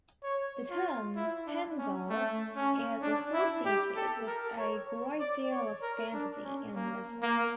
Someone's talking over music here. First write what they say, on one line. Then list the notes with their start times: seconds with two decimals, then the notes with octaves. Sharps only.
The term "Pendle" is associated with a great deal of fantasy and legend.
0.23 C#5
0.70 F4
1.16 E4
1.47 D4
1.78 C#4
2.09 A3
2.56 C#4
3.02 D4
3.33 E4
3.65 G4
3.96 A4
4.27 A#4
4.58 C#5
4.89 C#5
5.20 D5
5.51 C#5
5.82 A#4
6.13 D4
6.44 C#4
6.75 A#3
7.22 A#3